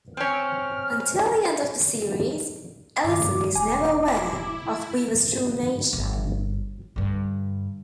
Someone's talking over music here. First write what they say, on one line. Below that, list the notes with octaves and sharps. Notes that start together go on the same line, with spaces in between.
Until the end of the series, Ellison is never aware of Weaver's true nature.
C4 C#4 F6
G2 A#2 D#3 D6
E1 G#5 D6
E4
D1 G1
G2 D3